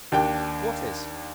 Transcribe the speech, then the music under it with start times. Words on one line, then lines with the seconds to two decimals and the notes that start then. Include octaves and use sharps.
"What is?"
0.12 D#2 D4 G5